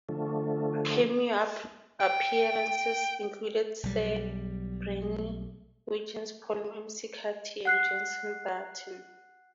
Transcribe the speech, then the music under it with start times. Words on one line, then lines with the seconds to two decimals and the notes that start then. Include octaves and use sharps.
Cameo appearances included Sir Bradley Wiggins, Paul McCartney and Jenson Button.
0.09 D3 F3 A3
2.00 G5
3.83 B1 G3
7.65 F#5 F#6 C7